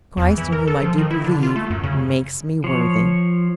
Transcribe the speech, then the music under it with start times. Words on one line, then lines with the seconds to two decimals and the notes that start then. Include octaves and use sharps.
Christ, in whom I do believe, makes me worthy.
0.17 E2
0.38 E3
0.52 A#4
0.67 A4
0.82 F3
0.98 D#3
1.11 E4
1.24 D3
1.43 F4
1.56 A3
1.70 F#2
1.83 C#3
2.64 F3 C#5